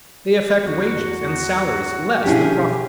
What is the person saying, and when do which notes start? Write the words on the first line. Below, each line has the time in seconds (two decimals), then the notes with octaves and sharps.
They affect wages and salaries less than profits.
0.63 E2 F#4
2.24 B2 F3 C#4 D4 E4 G4 G#4